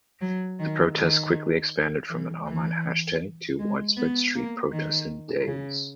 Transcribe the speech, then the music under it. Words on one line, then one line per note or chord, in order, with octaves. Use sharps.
The protests quickly expanded from an online hashtag to widespread street protests in days.
F#3
D#3
D#3
E3
E3
G#3
B3
A#3
D#3
C#3